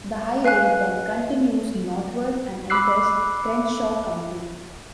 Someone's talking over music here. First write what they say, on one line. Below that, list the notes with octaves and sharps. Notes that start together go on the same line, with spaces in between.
The highway then continues northward and enters Crenshaw County.
B4 F5 G#5 F#6
B5 D6 E6 F#6 C7